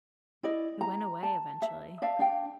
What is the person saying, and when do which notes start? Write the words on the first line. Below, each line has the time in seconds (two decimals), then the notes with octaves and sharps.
it went away eventually.
0.43 E4 D5 D#5
0.81 A#5
1.23 A5
1.62 E5
2.02 D5 E5 F5 A5
2.19 D4 F5 G5